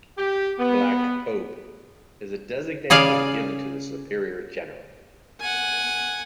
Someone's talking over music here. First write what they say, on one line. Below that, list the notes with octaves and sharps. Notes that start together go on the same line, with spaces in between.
"Black Pope" is a designation given to the Superior General.
G4
B3
C#3 G#4 D5 F5
F#5 G#5